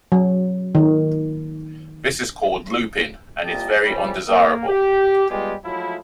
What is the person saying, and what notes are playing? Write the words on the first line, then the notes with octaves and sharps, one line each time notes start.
This is called "looping" and is very undesirable.
F#3
D#3
C2 A#2 F4 G4 D#5 A5
C#3 E3 F3 G3
A#3 A#4
G4
G3 G#3 B3 F4 G4 G#4
A2 F3 F#3 G#3 E4